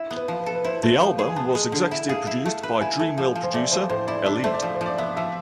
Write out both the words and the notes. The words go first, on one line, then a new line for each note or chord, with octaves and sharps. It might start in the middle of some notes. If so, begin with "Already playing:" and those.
The album was executive produced by Dreamville producer Elite.
Already playing: E4
B3
B4
F3
B4
A4
B4
E4 C5
A3
F3
G#4
G#5
B3 A5
G#3
D3
E4
G#4 F5
E4
A3
B4
E4 G#5
A3
F3
F3
C5
A3 D5
F3 C5
A2 C5
E4 D5
D4 E5
D5
A3 C5
D5
F3
C5
F3
D5
B3 E5
F3 E5